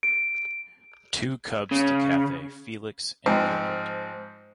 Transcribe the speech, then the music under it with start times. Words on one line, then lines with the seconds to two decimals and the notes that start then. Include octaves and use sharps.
Two cubs to Cathay: Felix and Gilbert.
0.03 D7
1.72 C#3
3.26 G#2 F3 C4